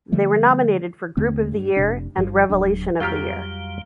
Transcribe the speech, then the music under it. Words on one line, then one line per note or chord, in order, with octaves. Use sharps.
They were nominated for Group of the year, and Revelation of the year.
D3 F3 G3 A3
D#2 D3 A3 C4
G2
F1 C3 D4
G1 G2 F3
D1 F#3 D4
F2 F#3 G3 F4 G4 F5 A#5 F6